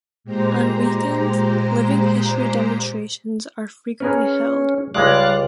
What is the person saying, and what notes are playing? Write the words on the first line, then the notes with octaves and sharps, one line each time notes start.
On weekends, living history demonstrations are frequently held.
A#2 G#3 G4 C5 A#5
C#4 G#4 A#4 B4
C#2 G3 G#3 D5 F5 F#6